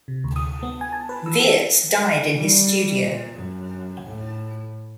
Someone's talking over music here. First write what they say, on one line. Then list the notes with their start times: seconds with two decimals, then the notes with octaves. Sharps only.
Wiertz died in his studio.
0.08 C3
0.24 D2
0.36 D#6
0.63 B3
0.81 G#5
0.92 A5
1.09 B4
1.26 E6
1.40 A4
2.36 G3
3.03 A#2
3.34 F#2
4.05 A2